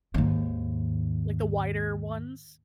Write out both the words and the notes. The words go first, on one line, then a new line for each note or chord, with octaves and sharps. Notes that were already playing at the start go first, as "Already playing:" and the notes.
Like the wider ones
D#2 G#2